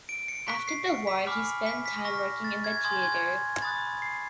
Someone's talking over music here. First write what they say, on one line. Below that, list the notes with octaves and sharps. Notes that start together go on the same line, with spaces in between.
After the war, he spent time working in the theatre.
D7
C#7
C#6 F#6 B6
C7
C#7
B6
G#5 B5 D6 F6
B6
B6
C#6 F6 A#6
A6
G#6
G#5 C6 D#6 G6 G#6
G#6
B5 D#6 F#6 A6
C7